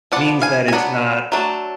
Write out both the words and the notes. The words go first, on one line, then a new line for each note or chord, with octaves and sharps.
means that it's not
F3 B3 D4 D5 F#5
F5 G#5
G#5
F#3 B3 D4 F#5
F#3 A3 D4